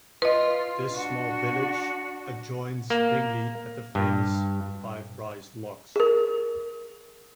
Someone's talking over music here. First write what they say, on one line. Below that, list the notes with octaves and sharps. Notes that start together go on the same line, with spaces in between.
This small village adjoins Bingley at the famous Five Rise Locks.
F4 B4 D#5
D4 F#4
A#3
G2
G#4 A#4